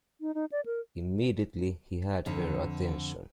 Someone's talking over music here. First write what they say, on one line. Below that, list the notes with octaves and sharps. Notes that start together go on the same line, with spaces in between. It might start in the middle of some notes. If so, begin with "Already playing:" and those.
Immediately he had her attention.
D#4
D#4
D5
A#4
F2 D3